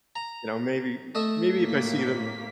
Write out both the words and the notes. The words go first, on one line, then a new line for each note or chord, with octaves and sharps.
you know, maybe maybe if I see them
A#5
A3 D#5 E5
A2 A#3 B6